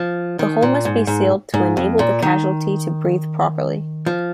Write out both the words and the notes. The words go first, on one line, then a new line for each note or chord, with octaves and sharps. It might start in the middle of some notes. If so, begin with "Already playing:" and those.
The hole must be sealed to enable the casualty to breathe properly.
Already playing: F3
D#3
A#2
G#2
G#2
G#2
F2
A#2
D#3
F3